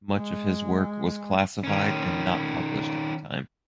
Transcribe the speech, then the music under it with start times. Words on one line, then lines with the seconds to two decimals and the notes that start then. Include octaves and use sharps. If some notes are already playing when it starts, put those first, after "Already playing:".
Much of his work was classified and not published at the time.
0.17 G#3
1.64 D#3 C#4